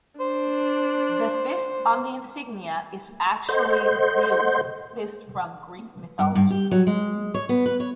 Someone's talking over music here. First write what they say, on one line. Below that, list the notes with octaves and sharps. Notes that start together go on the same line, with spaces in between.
The fist on the Insignia is actually Zeus' fist from Greek Mythology.
D4 C5
A4 C5 D#5 F#5 C6 G6
G2
G2
G4
F#3
G#3
C#5
B3
B4
C#5